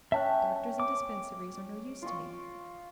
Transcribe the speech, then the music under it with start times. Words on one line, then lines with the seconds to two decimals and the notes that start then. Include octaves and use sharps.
Doctors and dispensaries are no use to me.
0.12 C#4 E5 G5 A5 F#6
0.80 D6
2.02 F4 D#5 C#6